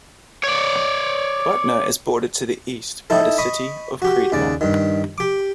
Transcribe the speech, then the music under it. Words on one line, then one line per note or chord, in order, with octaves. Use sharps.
Butner is bordered to the east by the city of Creedmoor.
C#5 D5
D#4 E4 A4
D#5 B5 C#6 D#6
F#4 G4
D#2 C#3 D5
G2 D#3
G4 D6